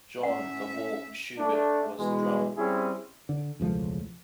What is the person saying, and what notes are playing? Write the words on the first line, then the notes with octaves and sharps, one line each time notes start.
John "the Hawk" Schubert was the drummer.
A2 C#4 E5 F#5
A3 D4
B2 E3 G#3
G3 C4 C#4 E4 G#4
D3
E1 C#2 F3 A3